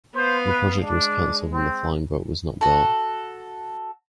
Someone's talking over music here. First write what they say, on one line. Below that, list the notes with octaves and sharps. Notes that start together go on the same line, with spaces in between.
The project was cancelled and the flying boat was not built.
B3 C5 F5
B4
G#3 D4
C4
F#4 A4